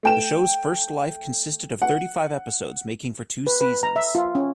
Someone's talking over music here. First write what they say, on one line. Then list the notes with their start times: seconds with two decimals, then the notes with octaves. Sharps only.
The show's first life consisted of thirty-five episodes, making for two seasons.
0.03 A3 G5 E7
1.82 F#5
3.47 B4
3.61 B4
3.83 A#5
3.96 E5
4.15 F4
4.35 C#4